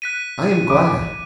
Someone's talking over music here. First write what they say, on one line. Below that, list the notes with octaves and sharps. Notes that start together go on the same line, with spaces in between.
"I am glad."
F#6 B6 D#7
D6